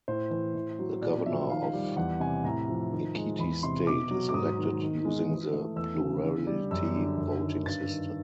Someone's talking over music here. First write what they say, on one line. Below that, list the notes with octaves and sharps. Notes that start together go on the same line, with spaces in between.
The Governor of Ekiti State is elected using the plurality voting system.
A2 C5
E3
A2
F#3
A#2 D5
F3 E5
D#3 F5
G3
E2 F#5
C3 G#5
A2 A#5
F3
D#3
G#3
E2 B5
C3 C6
B2 D6
F#3
D6
G#2 D#6
D#3
D#3
G#3
E3
A3
E2 E6
C#3
D3
G3
F#2 E6
D3
F#2
D#3
G2 A6
D#3